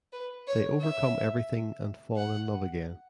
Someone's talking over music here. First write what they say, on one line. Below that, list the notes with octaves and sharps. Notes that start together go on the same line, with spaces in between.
They overcome everything and fall in love again.
B4
C#5
E5
F#5